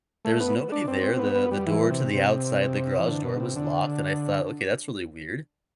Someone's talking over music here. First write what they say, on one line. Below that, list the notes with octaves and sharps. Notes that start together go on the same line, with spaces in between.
There's nobody there, the the door to the outside, the garage door was locked, and I thought, "Okay, that's really weird."
A3
B3
D4
C4
C4
C4
B3
B3
G3
E3
C3
C3
E3
D3
B2
C3
D3